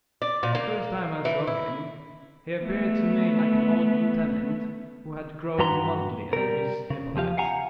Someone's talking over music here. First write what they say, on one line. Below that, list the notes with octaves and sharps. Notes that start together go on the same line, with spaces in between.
The first time I saw him he appeared to me like an old lieutenant who had grown mouldy under his epaulets.
D5
A#2
A#3
E3
E4
A3 B3
G2 F#4 B4 A#5 C6
G3 A#4
C#3
E2 F3 G4 F5
F5 F#5 G#5 A#5